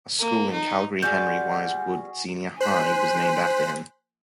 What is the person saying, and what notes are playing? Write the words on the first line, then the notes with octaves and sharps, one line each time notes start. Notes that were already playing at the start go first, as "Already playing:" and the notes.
A school in Calgary, Henry Wise Wood Senior High, was named after him.
A#3
D#4
G3 B3 F4 F#4 G#4 F#5 G6
C5 G#5 F#6 B6